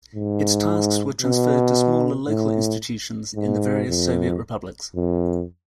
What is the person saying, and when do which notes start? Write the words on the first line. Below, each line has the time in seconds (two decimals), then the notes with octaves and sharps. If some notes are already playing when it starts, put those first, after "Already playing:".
Its tasks were transferred to smaller, local institutions in the various Soviet republics.
0.15 G#2
1.21 B2
2.28 A2
3.35 G#2
3.89 F2
4.95 F2